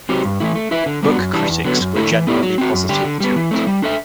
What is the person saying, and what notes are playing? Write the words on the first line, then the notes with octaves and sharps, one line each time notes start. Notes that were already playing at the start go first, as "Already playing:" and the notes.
Book critics were generally positive to it.
F#3 C4 G4 C5
G2
E3 A3 E4
A3
E4 B4 E5
D3
G3 B3 D4 F#4
F#2
E3 G3 D4
E2
D3 F#3 B3
F#2
D3 A3 E4 A4
E3
B3 E4 G4 D5
F#3
C4 F#4
F#2
D3 G3 D4 G4
D3
G3 B3
E3
A3 C4 E4
G3
D4 A4 E5